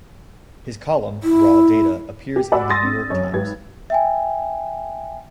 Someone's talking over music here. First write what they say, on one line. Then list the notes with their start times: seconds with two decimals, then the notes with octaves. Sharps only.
His column, "Raw Data," appears in "The New York Times".
1.23 E4
2.36 G4
2.52 F#4 D5 F#5 G#5 B5 E6
2.69 C6 D#6 A6 A#6
2.83 C4 D4
3.10 F#2 C#5
3.33 G#1 G4 B4 G#6
3.90 E5 G5 G#5